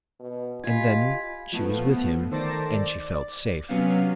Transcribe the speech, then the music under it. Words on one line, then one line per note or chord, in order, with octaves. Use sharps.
And then she was with him, and she felt safe.
B2
F4 G4 D#5 G#5 B5 G#6 B6
F3 A3 B3
D#3 A4 C5 D5 A5 A#6
D5
C3 F#3 B3 C#4 F5 F6